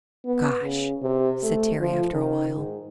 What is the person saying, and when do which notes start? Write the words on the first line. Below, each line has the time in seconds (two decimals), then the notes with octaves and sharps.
"Gosh!" said Terry, after a while.
0.25 B3
0.61 C#3
1.02 C3
1.43 A3
1.80 F3
2.13 D#3
2.57 G#2